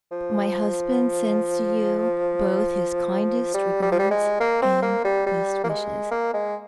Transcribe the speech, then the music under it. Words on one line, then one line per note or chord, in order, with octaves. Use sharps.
My husband sends to you both his kindest regards and best wishes.
F3
G3
G3
F3
G3
G#3
A#3
C4
A#3
G3
G3
A#3
G#3
A#3
G#3